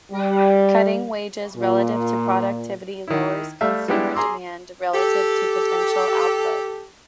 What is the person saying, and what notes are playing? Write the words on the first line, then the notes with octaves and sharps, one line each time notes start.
Cutting wages relative to productivity lowers consumer demand relative to potential output.
G3
A#2
D#3 E4
G3 A3 E5 F5
G3 G#3 B3 D4 E4 G4
G#4 A#5 C6 D6 E6
G4 A4